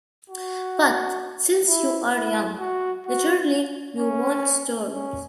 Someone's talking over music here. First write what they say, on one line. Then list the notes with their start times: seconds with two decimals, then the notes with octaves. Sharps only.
But, since you are young, naturally you want storms.
0.30 F#4
1.68 E4
2.13 E4
2.60 F#4
3.07 F#4
3.99 C#4
4.91 C#4